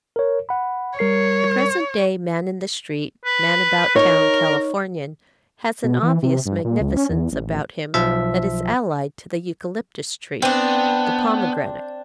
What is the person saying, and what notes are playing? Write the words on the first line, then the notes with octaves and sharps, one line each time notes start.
The present-day man-in-the-street, man-about-town Californian has an obvious magnificence about him that is allied to the eucalyptus tree, the pomegranate.
A#4 C#5
F#5 B5
G3 A#4 C#5 C7
B4
D#4 A#4 C#5
B2
E3
C3
G2
A#2
C#2
C#4
E2
A1
B1 F3 E5
B3 C4 D4